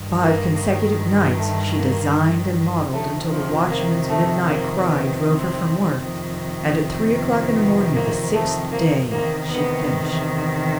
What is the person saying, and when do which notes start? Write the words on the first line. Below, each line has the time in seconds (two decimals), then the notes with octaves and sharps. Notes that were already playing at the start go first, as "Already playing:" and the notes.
Five consecutive nights, she designed and modelled until the watchman's midnight cry drove her from work, and at three o'clock in the morning of the sixth day, she finished.
Already playing: G2 D#3
0.22 A#3
1.38 A3
1.77 A#3
2.92 F2 C3 D#3 A3
3.31 F3
3.70 A#3
4.09 A3
4.47 A#3
4.86 B3
5.24 C4
6.01 F2 C3 D#3
7.56 B3
7.95 A#3
8.33 A3
8.72 A#3
9.11 E2 C3 D#3 A#3
9.49 B3